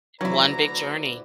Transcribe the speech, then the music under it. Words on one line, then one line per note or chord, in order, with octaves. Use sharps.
One big journey,
D2 E3 F#3 E4 B4 D5 A#5